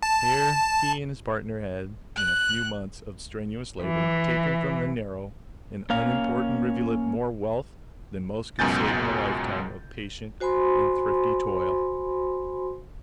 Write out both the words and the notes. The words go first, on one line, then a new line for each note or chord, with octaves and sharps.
Here he and his partner had in a few months of strenuous labor taken from the narrow and unimportant rivulet more wealth than most could save in a lifetime of patient and thrifty toil.
A5
F#6
E3
A#3 C#4 F5
C#2 F#2 B2 G#5 G6 A6
F#4 C5 G#5 B5 C6